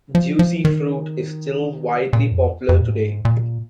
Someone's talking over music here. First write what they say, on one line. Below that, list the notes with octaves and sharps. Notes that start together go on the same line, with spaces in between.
Juicy Fruit is still widely popular today.
F3
F3
D#3
A#2
F2
F2
A#2
G#2
A#2